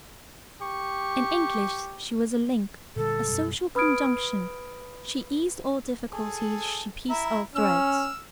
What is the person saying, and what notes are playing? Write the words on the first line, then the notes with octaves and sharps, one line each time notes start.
In English she was a link, a social conjunction; she eased all difficulties, she pieced all threads.
G4 C#6
A#2 D3 G3 A4
F#2 B2 G3
B4 B5 D#6 F6 G#6 D7
G#4 A4
E4 E5 A#5
C#4 E6 F6